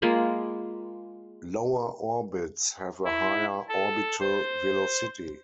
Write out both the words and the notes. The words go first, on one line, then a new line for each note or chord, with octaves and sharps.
Lower orbits have a higher orbital velocity.
G#3 A#3 F4 B5
E4
A4
C5